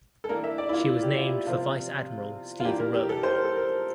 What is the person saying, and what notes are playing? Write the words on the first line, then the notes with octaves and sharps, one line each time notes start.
She was named for Vice Admiral Stephen Rowan.
A4
E3 A#3 D4 A#4
E5
D5
E4
F4
G4
F4
G4
C3 F3 C4 F4
F4
E3 A#3 D4 G4
A#4
G4
A4
C5
A#4
A4
A#4